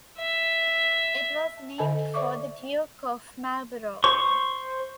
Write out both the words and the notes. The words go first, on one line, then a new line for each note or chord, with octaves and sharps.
It was named for the Duke of Marlborough.
E5
D3 A4 D#5 G#5 A5
C5 D5 E5 C#6 D6
C5 C#6